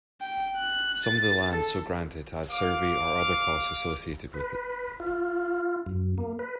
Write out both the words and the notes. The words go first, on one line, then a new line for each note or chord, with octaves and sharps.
Some of the land so granted had survey or other costs associated with it.
G5
F#6
A6
A4
F5 D6
B4
F4
F#2
A#3
B4